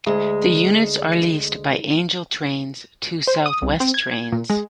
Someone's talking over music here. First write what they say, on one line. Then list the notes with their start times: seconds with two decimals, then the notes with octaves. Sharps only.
The units are leased by Angel Trains to South West Trains.
0.06 D2 G#3
3.27 C5
3.46 D#6
3.62 C2
3.80 C4
3.94 G#6
4.32 A#2
4.50 G#3